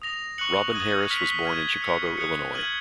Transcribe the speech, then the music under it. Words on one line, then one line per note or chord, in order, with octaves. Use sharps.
Robin Harris was born in Chicago, Illinois.
D#6 A#6 F7
C#6 F#6 C#7 F#7
D#6 G#6 D#7
F6 B6 F7
F6 G#6 D#7
F#6 C#7 F7
D#6 F#6 C#7
F6 G#6 D#7 F#7